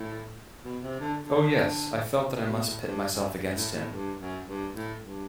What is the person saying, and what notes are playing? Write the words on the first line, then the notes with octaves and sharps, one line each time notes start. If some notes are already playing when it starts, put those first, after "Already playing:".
Oh yes, I felt that I must pit myself against him.
Already playing: A2
B2
C3
D3
D3
C3
B2
A2
G2
F#2
A2
A2
G2
F#2
G2
A2
G2